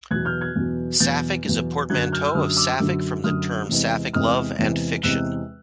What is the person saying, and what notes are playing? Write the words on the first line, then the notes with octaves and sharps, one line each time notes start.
"Saffic" is a portmanteau of Sapphic from the term Sapphic love and fiction.
E2 B2 F#3 F#6 G#6
F6 G6
F#6 G#6
E2 B2 F#3
E2 B2 F#3 G6 A6
E2 B2 F#3
F#2 D3 F#3 F#6 G#6
F6 G6
E6
F#2 D3 F#3 D#6 F6
D6 E6
F#2 D3 F#3
F#2 D3 F#3 D#6 F6
E2 C3 E3 G#3 C4
E2 C3 E3 G#3 C4 D#6 F6
E2 C3 E3 G#3 C4
E2 C3 E3 G#3 C4 E6 F#6